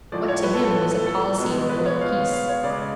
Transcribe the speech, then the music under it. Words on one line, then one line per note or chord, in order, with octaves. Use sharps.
What to him was a policy of world-peace?
A2 F3 G#3 D5
C#5
B4
A4
A4
A4
A4
B2 G#3
B4
C#5
F5
F5
C#5
C#3 G#3 D5